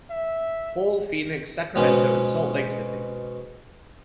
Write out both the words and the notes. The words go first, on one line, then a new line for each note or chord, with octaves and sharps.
Paul, Phoenix, Sacramento and Salt Lake City.
E5
G#2 B2 C#4